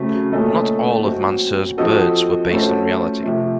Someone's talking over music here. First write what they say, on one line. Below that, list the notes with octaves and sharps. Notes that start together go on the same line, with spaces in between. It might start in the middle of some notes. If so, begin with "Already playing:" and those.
Not all of Mansur's birds were based on reality.
Already playing: C#3 F#3 A3 C4
A#2 A3 C#4 A4 D#5
F#3 C4 F#4
F3 C4 F#4 A4 D#5
A3 C#4 F#4 A4 C5
C3 F3 A3